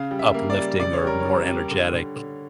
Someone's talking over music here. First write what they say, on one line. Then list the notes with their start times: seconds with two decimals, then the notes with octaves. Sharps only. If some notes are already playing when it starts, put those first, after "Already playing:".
uplifting or more energetic.
Already playing: C#3 F5
0.11 G3
0.19 E5
0.34 A#3
0.50 D5
0.57 G3
0.80 C#3 D5
0.93 C#5
1.02 G3 A#4
1.20 C#5
1.26 G3
1.48 G3
1.71 D3
1.93 D3
2.16 D3